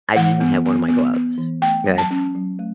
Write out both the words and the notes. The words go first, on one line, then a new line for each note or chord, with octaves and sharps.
I didn't have one of my gloves. 'Kay?
E3 F#5
B3
B3
B3
B3
E3
A3 G5
F#3
A5
C#4
F#3
A3